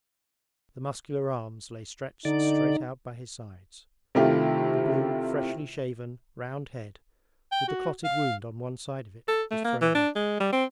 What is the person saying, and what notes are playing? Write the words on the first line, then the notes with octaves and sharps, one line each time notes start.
The muscular arms lay stretched straight out by his sides; the blue, freshly shaven, round head with the clotted wound on one side of it was thrown back.
D3 D#4 D5
C3 D#3 A3 E4 F4 G4
G5
F#4
F5
A4
A3
A#3
E3
D4
G#3
G3
C4